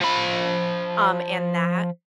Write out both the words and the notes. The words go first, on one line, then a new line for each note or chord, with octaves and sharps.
um, and that
F3 B5